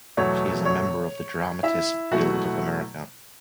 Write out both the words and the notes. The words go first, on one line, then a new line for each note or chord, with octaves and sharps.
She is a member of the Dramatists Guild of America.
E2 B2 F#3 A3 C#5
C#5
E4 E5
B2 F#3 A3 E4 F#4 F#5